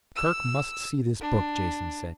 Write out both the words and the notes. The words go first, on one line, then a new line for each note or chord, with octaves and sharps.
"Kerk must see this book," Jason said.
E6
D4